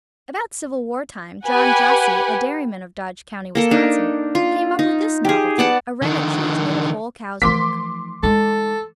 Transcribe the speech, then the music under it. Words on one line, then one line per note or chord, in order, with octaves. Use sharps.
About Civil War time, John Jossi, a dairyman of Dodge County, Wisconsin, came up with this novelty, a rennet cheese made of whole cow's milk.
G4 B4 F#5 G#5
A#3 A4 A#4
D4 D#4
F4
D#4
G4 G#4
B3 D5 F#5 A5
D3 D#3
E3 F3 A3 D#4 A#4 C6 D6 B6
G#3 D#4 A4